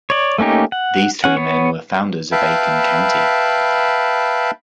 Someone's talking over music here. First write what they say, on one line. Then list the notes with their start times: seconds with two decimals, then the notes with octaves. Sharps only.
These three men were founders of Aiken County.
0.10 C#5 D5
0.38 A3 A#3 C#4 D#4 G4
0.72 F#5
1.24 C#4 F#5
1.37 B3 C#5
2.32 B4 E5 F5 G5 A5 B5